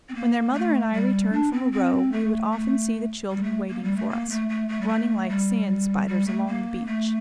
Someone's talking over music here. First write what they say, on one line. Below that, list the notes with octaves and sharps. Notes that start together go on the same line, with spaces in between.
When their mother and I returned from a row, we would often see the children waiting for us, running like sand-spiders along the beach.
C4
A#3
A3
G3
D4
C4
C4
A3
A3
G3
A3
A#3
G3
A3
A#3
A3
A3
A3
G3
A3
G3
G3
A3
A#3
A3